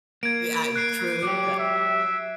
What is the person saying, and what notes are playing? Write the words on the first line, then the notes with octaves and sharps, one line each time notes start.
Yeah, I true, the
A#3 G#6 D7
F#6 C7 D7
F#3 G4 D6
E5